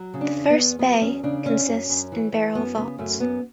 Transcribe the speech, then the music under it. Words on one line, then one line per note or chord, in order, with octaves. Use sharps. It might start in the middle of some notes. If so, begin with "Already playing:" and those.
The first bay consists in barrel vaults.
Already playing: F#3
C#3
D4
E2
B3
E2
F#3 B3
E2 C#4
C#3 D4
E2 C#4
F#2
F#2
E3
E3
F#2 B3
C#3 B3
F#2 A3
F#2 B3